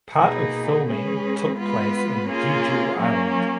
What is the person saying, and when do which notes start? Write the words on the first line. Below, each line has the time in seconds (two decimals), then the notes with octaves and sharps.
Part of filming took place in Jeju Island.
0.17 B2 A#3 D#4 G#4 B4
0.88 G#3 C#4 G#4 B4
1.58 G#3 B3 F4 B4
2.28 A#3 C#4 F4 G#4
2.99 F#3 A#3 C#4